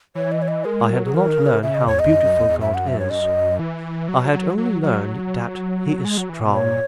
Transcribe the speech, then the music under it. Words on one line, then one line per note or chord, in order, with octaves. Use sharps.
I had not learned how beautiful God is; I had only learned that he is strong.
E3 C#5
D#5
C#5
D#5
G#3 A#4
F#3
G#4
E3 A#4
D#3
C#3
C#3 E5
D#5
E2 C#5
E2 D#5
F#2
F#2
E2
E2
F#2 E5
F#5
E5
C#5
D#5
E3
F#3
F#3
F#3
F#3
G#3
F#3
E3
B2
A#2 C#5